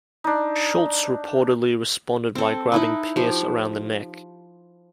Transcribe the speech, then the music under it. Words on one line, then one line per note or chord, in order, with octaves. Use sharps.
Schultz reportedly responded by grabbing Pearce around the neck.
D4 D#4
C4 A4
D#4 E4 B4
F3 G4